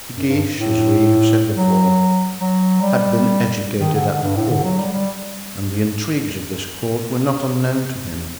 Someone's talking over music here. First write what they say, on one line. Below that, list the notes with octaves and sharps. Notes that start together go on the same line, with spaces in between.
De Guiche, as we have said before, had been educated at the court, and the intrigues of this court were not unknown to him.
F#2
G2
A2
F#3
F#3
G3
D#3
D3
D3
G2
A2
D3
F#3
G3
G3